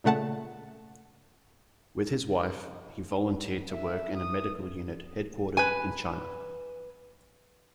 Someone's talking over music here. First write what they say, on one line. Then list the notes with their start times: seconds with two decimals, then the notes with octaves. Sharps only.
With his wife, he volunteered to work in a medical unit headquartered in China.
0.04 A#2 C#3 A3 F#5 A5
3.71 E5
4.17 D#6
5.57 B4 G#5